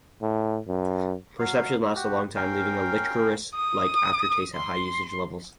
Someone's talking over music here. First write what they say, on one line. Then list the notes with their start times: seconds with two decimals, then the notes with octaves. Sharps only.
Perception lasts a long time, leaving a liquorice-like aftertaste at high usage levels.
0.22 A2
0.67 F#2
1.39 F#3 F5
1.95 F#4 G4
2.36 C#4 A#4 F5 G5
3.55 D#6
4.55 C6